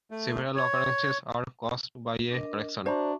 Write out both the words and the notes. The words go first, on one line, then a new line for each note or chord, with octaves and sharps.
Several occurrences are caused by a correction.
A3
C#5
D4 A#4 D#5
D4 F#4 C5 E5 A#5 C#6